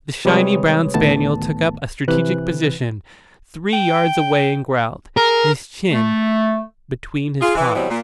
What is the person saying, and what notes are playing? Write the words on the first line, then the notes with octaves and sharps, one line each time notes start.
The shiny brown spaniel took up a strategic position three yards away and growled, his chin between his paws.
C3 G3 G#3 B4 C#5 D#6
D2 A2 D#3 A3 B3 A5
C3 E3 B4 F#6
G5
G#4 A#4
A3
F4 G#4
E3
B2 E3 F#3 G3 B3 C4
A#2